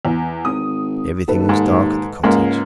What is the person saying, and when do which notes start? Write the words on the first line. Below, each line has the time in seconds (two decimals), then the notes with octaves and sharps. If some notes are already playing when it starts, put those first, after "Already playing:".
Everything was dark at the cottage.
0.05 E2
0.45 G#1 D#6
1.28 D#2 A4 B4
1.49 G#2
2.23 C#2 G#2 A#3